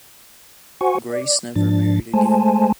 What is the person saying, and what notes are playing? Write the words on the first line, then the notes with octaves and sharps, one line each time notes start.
Grace never married again.
F#4 C5 F#5 G#5 C#6
D5
G#2 F3 D4 A6
G#3 A3 C5 G#5 A5